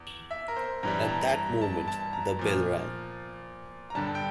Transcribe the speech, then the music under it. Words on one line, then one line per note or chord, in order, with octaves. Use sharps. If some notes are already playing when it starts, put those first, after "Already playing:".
At that moment the bell rang.
Already playing: E2
E5
A#4
C5
G2 E3 G3 A#5
A5
A#5
A#5
A5
A5
A#5
A#2 F3
A#5
G2 D3 G3 A5
G5